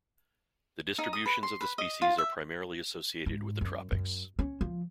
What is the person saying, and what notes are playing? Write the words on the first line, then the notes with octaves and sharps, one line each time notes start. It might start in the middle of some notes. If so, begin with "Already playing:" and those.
The distributions of the species are primarily associated with the tropics.
D#4
D#6
B4
C6
B4
D#5
F4
E5
G#2
F#2
F#2
C#4
F3